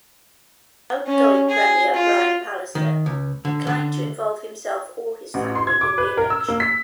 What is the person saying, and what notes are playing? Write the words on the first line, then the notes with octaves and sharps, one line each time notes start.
Outgoing premier Brian Pallister declined to involve himself or his family in the election.
C#4
G#4
F4
D#3
C#2
D3
D3
A1
C6
G#6
D6
B4
A#4
E6
A#3
B6